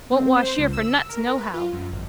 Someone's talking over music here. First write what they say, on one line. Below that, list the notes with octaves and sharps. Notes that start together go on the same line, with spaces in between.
Won't wash here for nuts nohow.
C4
C5
C#2
E6
A#4
B4
F4
F#2
G#1